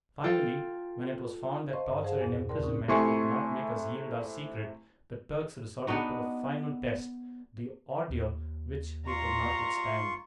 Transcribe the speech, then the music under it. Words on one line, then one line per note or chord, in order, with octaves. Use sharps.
Finally, when it was found that torture and imprisonment would not make us yield our secret, the Turks resorted to the final test--the ordeal which we could not withstand.
F4 A4 G5
C5 D#5 F5 A5 C6 C#6
G2
G#4 C5 F5 F#5 A5
E2 A#2
D#2 C#3 A#4 D5 A5 C6
C4 C#4 D#4 A#4 C#6
C3 A3 E4 G#5 C6 C#6
B3 D4 D#4 F#4
D#2
F4 A#5 C6 C#6